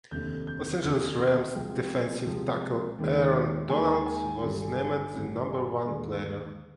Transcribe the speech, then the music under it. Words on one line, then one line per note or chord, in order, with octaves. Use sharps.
Los Angeles Rams defensive tackle Aaron Donald was named the number one player.
F1 D#2 D3 G6
G6
G6
F1 D#2 D3 F6
D#6
C6
D#5
C2 C3 F3 G#3 G5
C2 C3 F3 G#3
D#2 D#3 G#3
D#2 D#3 G#3 G#5
G#5
G#1 G2 D3
G#1 G2 D3
D#2 D3 G#3